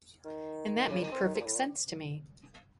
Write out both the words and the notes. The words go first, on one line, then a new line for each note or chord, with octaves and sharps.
And that made perfect sense to me.
D#3
C#3
D#3
C4
D#3
C3
A#2
A2
A#2